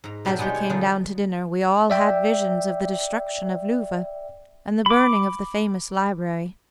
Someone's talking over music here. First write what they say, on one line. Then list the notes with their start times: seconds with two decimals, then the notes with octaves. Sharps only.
As we came down to dinner we all had visions of the destruction of Louvain, and the burning of the famous library.
0.04 G#2 A#5
0.25 B2 F#3 D4 G4 B5
0.39 G#3 B3 D#4 G4 G5
0.55 C#5
0.69 D3 F3 F#3 B3 D4 D#4
1.90 D5 E5 G5
4.86 B5 D6